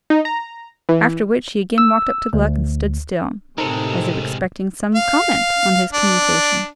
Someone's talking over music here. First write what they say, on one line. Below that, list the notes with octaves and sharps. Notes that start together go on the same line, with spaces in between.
After which, he again walked up to Gluck and stood still, as if expecting some comment on his communication.
D#4
A#5
E3
E6
D2
A2 C3 G#3 C4 D#4 A4 A#4 C5
F5
D4